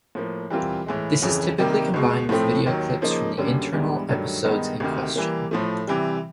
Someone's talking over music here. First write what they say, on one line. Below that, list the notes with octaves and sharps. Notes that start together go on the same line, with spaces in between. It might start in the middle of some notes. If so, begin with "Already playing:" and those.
This is typically combined with video clips from the internal episodes in question.
A2 F3 A#3
E3 G3 C4 F4 A#4
A2 E3 G#3
F2 C#3 E3
C3 D#3 G3 A#3
C#2 B2 G#3
A2 F3 A3 C4
D#2 D#3 F#3
C#3 F3 A#3 D#4
F#2 D3 G3 A#3 C#4
G#2 E3 G3 B3 D4
G2 D#3 F#3 A3 D4
G2 D#3 G#3 B3 D#4
D2 C3 D#3
E3 G3 A#3
A2 F3 A3
C3 E3 G3